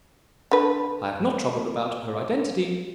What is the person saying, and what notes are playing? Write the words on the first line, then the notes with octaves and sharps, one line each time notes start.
I have not troubled about her identity.
D3 B4